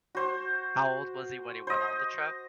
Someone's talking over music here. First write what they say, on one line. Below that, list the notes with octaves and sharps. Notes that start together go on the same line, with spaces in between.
How old was he when he went on the trip?
F#4 C5
C5 D#5